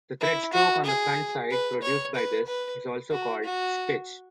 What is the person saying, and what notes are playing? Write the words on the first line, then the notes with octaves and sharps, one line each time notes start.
The thread stroke on the front side produced by this is also called "stitch".
E4
F#4
G#4
B4
C#5
B4
B4
F#4
F#4